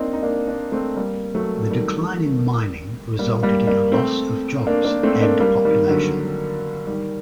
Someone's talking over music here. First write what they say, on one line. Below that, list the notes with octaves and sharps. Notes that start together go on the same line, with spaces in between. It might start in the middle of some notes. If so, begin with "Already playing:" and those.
The decline in mining resulted in a loss of jobs and population.
Already playing: A#3 C4 D4 D#4
D#4
A#3 D4
A#3 D4
A3 C4
G3 A#3
F#3 A3
D#3 G3
G3 A#3
G3 A#3
G3 A#3
A3 C4
A#3 D4
A#3 D4
A3 C4
A#3 D4
G3 A#3
D#3 G3
D3 F#3
D#3 G3